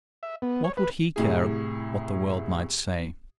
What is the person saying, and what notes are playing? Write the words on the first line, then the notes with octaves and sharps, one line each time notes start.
What would he care what the world might say?
E5
B3
C#5
B4
C2 A2 G#4